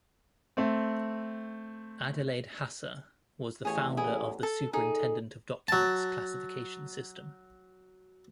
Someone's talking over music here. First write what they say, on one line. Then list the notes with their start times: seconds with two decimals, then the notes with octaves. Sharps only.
Adelaide Hasse was the founder of the Superintendent of Documents classification system.
0.57 A3 C4
3.65 A1 E2 A2 G#4 C#5 G#5
3.97 E4 G#4
4.43 A4
4.73 D#4 G#4 A4
5.68 F#3 A5